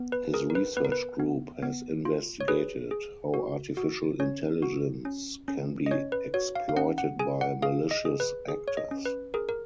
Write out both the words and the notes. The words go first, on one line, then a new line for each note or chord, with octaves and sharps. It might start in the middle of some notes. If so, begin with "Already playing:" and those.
His research group has investigated how artificial intelligence can be exploited by malicious actors.
Already playing: B3
B4
G#4 A#4
A#4
B4
B3 B4
A#4
B4
B3
B3
F4
C#5
G#4 B4
G#4
F#4
F#4
C#4 C#5
F#4
C#4
C#4
D#5
C#4 C#5
B4
F#4 C#5
F5
F5
C#4 F#5
F#5
G#4 G#5
F#5
G#4 F5
D#5
G#4
B4
G#4
C#5
D#5
C#4
B4
G#4 A#4
A#4